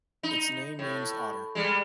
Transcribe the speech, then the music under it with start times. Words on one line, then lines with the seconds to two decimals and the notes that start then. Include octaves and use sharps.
Its name means "otter".
0.23 D#4
0.79 A2
1.55 G3 G#3